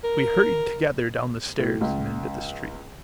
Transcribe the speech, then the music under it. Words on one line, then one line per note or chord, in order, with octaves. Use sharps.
We hurried together down the stairs and into the street.
A#4
A2
C#2